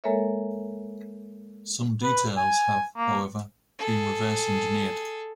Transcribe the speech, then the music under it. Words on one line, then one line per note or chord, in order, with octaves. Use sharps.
Some details have, however, been reverse engineered.
G#3 A#3 A4 A#4 C#5 E5
B4
G#5
A#3
G#4 A4